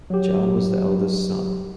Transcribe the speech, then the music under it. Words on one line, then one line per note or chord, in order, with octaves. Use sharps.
John was the eldest son.
F#3 G4